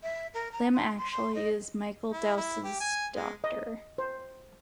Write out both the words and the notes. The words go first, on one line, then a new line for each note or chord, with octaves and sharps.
Lim actually is Michael Dowse's doctor.
E5
A#4
A#5
C6
C6
C6
D#5
E4
E4
G4
G#5
G#3
D#5
C5